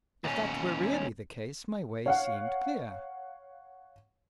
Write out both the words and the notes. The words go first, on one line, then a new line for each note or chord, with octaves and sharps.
If that were really the case my way seemed clear.
D#2 C#4
C#5 F5 F#5